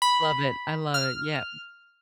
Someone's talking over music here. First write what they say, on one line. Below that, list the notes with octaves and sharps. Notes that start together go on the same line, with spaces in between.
Love it. I love it. Yeah.
B5
F6